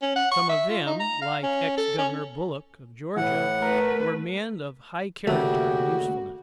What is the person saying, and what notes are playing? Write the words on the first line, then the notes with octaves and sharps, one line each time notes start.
Some of them, like ex-Governor Bullock, of Georgia, were men of high character and usefulness.
C#4
F#5
C#6
E5
F4
D#4
A#5
F5
C#4
A4
C#4
A2 E3 F#5
A3 A#4 B4
D#2 A#2 C#3 A3 F#4 G4